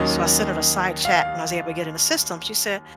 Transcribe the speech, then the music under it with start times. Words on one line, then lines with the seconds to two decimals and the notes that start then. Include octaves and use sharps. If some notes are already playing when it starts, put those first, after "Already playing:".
So I sent her the side chat when I was able to get in the system. She said
Already playing: D#2 D#3 F#3 C#4 D#5
1.05 F5